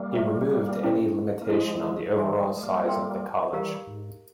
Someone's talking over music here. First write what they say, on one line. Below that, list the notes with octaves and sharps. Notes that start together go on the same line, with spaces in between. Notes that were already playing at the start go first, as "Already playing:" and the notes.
He removed any limitation on the overall size of the College.
Already playing: G3 A#3
C5 E5 A#5 C#6
C#4 E4 G#4 C5
A#3
F3 G#3 E4 G#4 C5
G#3
E3 G3 A#4 C#5 E5 G#5 C6
F3 G#3
G#3
G3 A#3
F4 A#4 E5 G5 C6
E3 G3 G4 A#4 F5 A#5
G#2